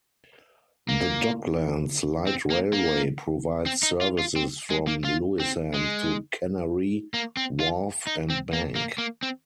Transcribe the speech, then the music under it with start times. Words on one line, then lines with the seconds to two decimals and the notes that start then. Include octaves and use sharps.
The Docklands Light Railway provides services from Lewisham to Canary Wharf and Bank.
0.89 A#3
2.27 C4
2.50 A#3
2.73 A#3
3.66 C4
3.83 D#4
4.01 F4
4.19 F4
4.36 C4
4.70 G#3
4.87 A#3
5.05 F4
5.40 C4
5.74 G#3
7.14 A#3
7.37 C4
7.60 F4
8.07 D#4
8.30 C4
8.53 A#3
8.76 A#3
8.98 A#3
9.23 C4